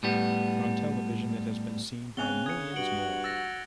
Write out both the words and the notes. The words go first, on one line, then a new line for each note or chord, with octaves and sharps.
On television it has been seen by millions more.
A2 G3 B3
C#3 B3 C4 G#5 F#6 F7 G7
D#6 G#6 C#7
G2 F#4 C#7 D7 F#7
E6 A6 A#6